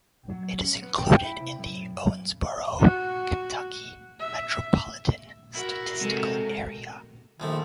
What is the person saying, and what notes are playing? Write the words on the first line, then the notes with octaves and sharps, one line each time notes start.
It is included in the Owensboro, Kentucky Metropolitan Statistical Area.
F#3
C#4
B3
G5
E4
C3
F#2
F#2
F#4
E5
E4 F#4 A#4
C3 G#3 A4 A5
A#1 D#3 F3 A3